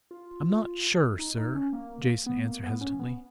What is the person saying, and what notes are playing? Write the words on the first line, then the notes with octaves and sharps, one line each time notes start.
"I'm not sure, sir," Jason answered hesitantly.
F4
D#4
D#4
C#4
A#3
B3
A#3
B3
C#4
B3